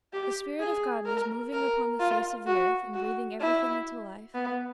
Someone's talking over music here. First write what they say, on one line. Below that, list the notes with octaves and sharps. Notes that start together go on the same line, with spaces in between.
The Spirit of God was moving upon the face of the earth, and breathing everything into life.
G4
G#4
A#4
A#4
F4
F#4
F#4
E4
B3